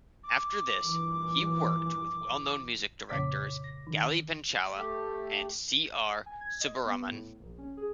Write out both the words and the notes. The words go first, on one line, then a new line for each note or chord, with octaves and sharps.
After this, he worked with well-known music directors "Gali Penchala" and C. R. Subbaraman.
D6
G2 A#2 E3
F2 A#2 C#3 C#5 D6 B6
A#6
D#3
A3 G4
G#5
G#6
D#5
B3
A2
A#1
C#4
G#4